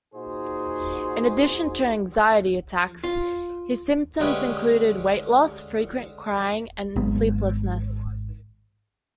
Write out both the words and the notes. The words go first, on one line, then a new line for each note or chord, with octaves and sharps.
In addition to anxiety attacks, his symptoms included weight loss, frequent crying, and sleeplessness.
A#2 D#4 F#4 G#4 C5
F4
D3 G#3 A3 C#4 G4 B4
G#1 F#3 G#3 B3